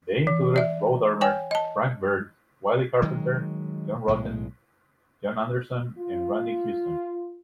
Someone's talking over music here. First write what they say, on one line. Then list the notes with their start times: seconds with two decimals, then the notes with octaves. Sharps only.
They included Rhodarmer, Frank Byrd, Wiley Carpenter, John Roten, John Anderson and Randy Houston.
0.27 E3
0.56 D5 E5
1.21 C#5 G5 G#5
1.51 D#5 A5
3.02 D#3 F#3 G#3
4.08 B1 A2 G#3
5.99 F4